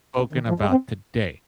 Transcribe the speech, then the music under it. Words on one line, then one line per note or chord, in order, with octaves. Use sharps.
spoken about today,
C3
D#3
F3
G#3
C4